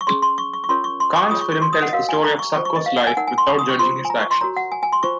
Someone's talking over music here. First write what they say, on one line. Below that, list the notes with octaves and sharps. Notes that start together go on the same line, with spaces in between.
Kahn's film tells the story of Succo's life without judging his actions.
C#6
C#4 G#4 C#5 C6
C6
C#6
C#6
C#6
C#4 F4 A#4 C#5 C6
C#6
C6
C#6
F4 G#4 C#5 D#6
C#6
C#6
C6
D#6
F#5
D#5
F#4 A#4 C#5 F5
G#5
A#5
C#6
F4 C5 C#6
C#6
D#5
F5
F#5
G#5
D#4 A#4 C#5 F#5
G#5
C6
C#6
D#6
C#6
F4 C5 C6
G#5
A#5
C#6
C6
F#4 A#4 C#5 A#5
F#5
G#5
G#5
C6
F4 C5 C#6